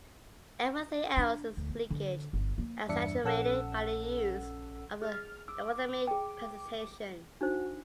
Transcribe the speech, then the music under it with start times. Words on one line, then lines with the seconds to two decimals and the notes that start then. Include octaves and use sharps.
Everything else is leakage, exaggerated by the use of a logarithmic presentation.
1.17 D4
1.57 D2
1.69 B3
1.90 D3
2.33 G1
2.58 A#3
2.88 E2 G2 D4 E5 C#7
3.24 A#1 C#4 A4 F#5 E6
5.02 G#4 D#5 F6
5.48 D6 E6
6.07 G#4 G5
7.41 D4 D#4 F#4 C5